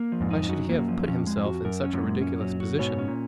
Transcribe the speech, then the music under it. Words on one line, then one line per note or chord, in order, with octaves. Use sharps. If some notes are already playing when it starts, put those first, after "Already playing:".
Why should he have put himself in such a ridiculous position?
Already playing: A#3
F3
F2 G#2
D#4
G#2
F#2 F#4
F2 A#3
F#2
F3
F2 C#4
G#3
F2
F#4
F#2 A#4
C#4
F#2 A#2
G#3
C#4
F#3
F#4
G#2 B2 C#5
C#4
A#2